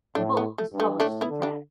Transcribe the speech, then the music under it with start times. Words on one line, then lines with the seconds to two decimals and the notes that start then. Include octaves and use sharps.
The book was published in France.
0.15 A2 A3 D4
0.37 B3
0.58 A3
0.72 G2
0.80 A3
1.00 A2 A3 D4
1.21 B3 E4
1.29 D3
1.42 D4 G4